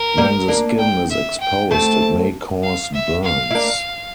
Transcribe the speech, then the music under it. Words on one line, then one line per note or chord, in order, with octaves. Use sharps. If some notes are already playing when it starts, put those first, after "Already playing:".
When the skin is exposed it may cause burns.
Already playing: A#4
G3 A#3
A#3 D4
G5
E5
G5
A3 C4 A5
F5
E5
F5
E4
A#3 D4